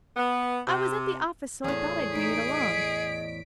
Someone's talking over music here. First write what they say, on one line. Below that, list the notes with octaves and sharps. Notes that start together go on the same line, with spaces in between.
I was at the office, so I thought I'd bring it along.
B3
C3
E2 A2 G#4
D#4 B6 D7
D#5